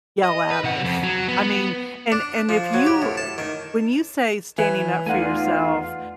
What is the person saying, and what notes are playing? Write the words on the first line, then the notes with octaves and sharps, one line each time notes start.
yell at us." I mean and and if you eh eh when you say standing up for yourself,
D#5
B4
C3 F#5
F2
F#3
B3
D4
F3
F#3
G4
A2
A5
D#3
E3 E4 B4 C#5 G#5
E2 A3 D#4 F4 D5 F5 F#5 G#5